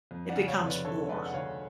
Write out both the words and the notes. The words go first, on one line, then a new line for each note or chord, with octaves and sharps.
it becomes more.
F2
D5 F#5
C#3
C#5 F5
F1
B4 D5
D3 A4 C#5
G#3 B4 D5
F#5
D2 C#5 F5